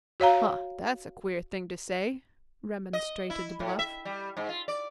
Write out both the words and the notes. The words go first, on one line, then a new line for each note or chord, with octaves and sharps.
"Huh! that's a queer thing to say," remonstrated Bluff.
F#4 C#5 F5 A#5
D#5
E4
A2
E5
G3
G#2
F4
D5